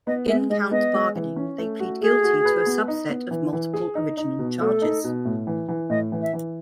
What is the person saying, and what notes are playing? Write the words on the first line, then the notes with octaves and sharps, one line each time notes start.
In count bargaining, they plead guilty to a subset of multiple original charges.
B3 D#5
G#3 E5
G#3 D#5
B3 D#5
G#3
E3
C#4
A3
F#4
A3 G#4
F#4
B4
B3
D#4
B3
E3
E3
G#4
D#4
D#4
B2
A3 A4
D#4
B2
A2
E3
E3
A2 D#5
E3
E5
E3